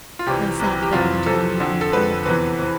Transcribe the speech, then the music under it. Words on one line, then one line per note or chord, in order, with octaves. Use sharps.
They sat there until nearly three o'clock.
F4
C2 C3 E3 G4
C2 C3 E3
G4
F2 C3 E3 F4
F2 C3 E3 A4
F2 D3
A4
F2 D3 B4
E2 C3 E3 B4
C3 E3